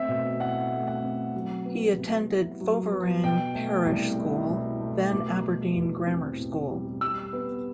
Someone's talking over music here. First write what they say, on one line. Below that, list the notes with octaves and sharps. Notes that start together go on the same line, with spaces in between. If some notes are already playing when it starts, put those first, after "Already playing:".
He attended Foveran Parish School then Aberdeen Grammar School.
Already playing: A3 C4 E5
B2
E4 F#5
A3
F#5
C4
F#3
B3
C3
E4
F#3
B3
B2 G5
A3
C2
E4
B2
A3
B2 D6
G3
E2
C4
B2
G3
G3 E6
B3